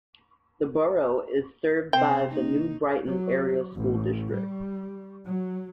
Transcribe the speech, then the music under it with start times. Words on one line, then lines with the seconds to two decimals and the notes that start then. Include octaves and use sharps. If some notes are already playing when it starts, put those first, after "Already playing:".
The borough is served by the New Brighton Area School District.
1.93 C3 C4 C5 G5
2.29 A#3 D#4
3.06 F#3
3.73 A1
4.34 G3
5.25 F#3